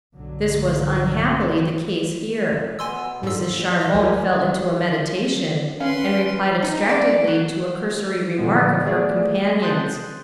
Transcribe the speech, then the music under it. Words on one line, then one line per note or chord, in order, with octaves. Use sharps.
This was unhappily the case here. Mrs. Charmond fell into a meditation, and replied abstractedly to a cursory remark of her companion's.
B1 G2 D3 F#3
B2 B3 G#5 C6 E6
G#2 D3 D#3 F4 E6
D#2 A#2
F2 A#2 D#5
D2 A#4 G#5
C#4 B4 F5 C6
D#4
D5
F#3
A#2 D3 E3 F3 G#3 B3
A3 B3 G#4 D5
A5 C6 D#6 F#6 G6 A6